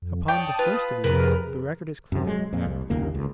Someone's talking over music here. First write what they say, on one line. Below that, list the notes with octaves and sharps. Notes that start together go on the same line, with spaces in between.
Upon the first of these, the record is clear.
F2
C#5 D5 G5 A5 D#6
F4 B4
F2 C3 B3 G#4 A#4 B4
F#2 C3
F#3 G#3
F2 A#2
C2
G1 D#2 C#3 A#3
C#2